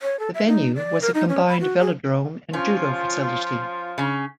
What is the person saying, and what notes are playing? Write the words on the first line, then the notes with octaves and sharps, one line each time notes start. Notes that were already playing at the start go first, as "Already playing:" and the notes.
The venue was a combined velodrome and Judo facility.
C#5
A4
E5
D#4
D5
A#4
D#4
C#4
B5
F#4
G#4
F3 C#4 F4
C#3 C#4